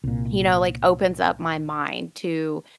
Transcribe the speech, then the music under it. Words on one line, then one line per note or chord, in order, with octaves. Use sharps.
you know, like, opens up my mind to
C2 A#2